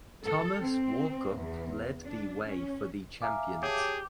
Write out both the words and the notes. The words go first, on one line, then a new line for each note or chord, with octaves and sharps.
Thomas Walkup led the way for the champions.
A4
C4
E2
D4
C#4
E5 F5 G#5 A#5 D6 F6
G4 G#4 C#5 A5